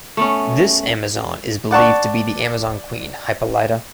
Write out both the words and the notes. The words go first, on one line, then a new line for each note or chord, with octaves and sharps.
This Amazon is believed to be the Amazon queen Hippolyta.
A3 B3 C#4
D5 F#5 A5 C#6